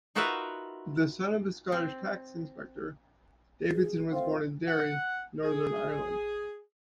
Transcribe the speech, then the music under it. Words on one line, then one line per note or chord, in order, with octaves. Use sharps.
The son of a Scottish tax inspector, Davidson was born in Derry, Northern Ireland.
D#4 F4 F#4 A#4 B4 E5
C4
G#4
A3 C4 F4 C5
F#5
G#4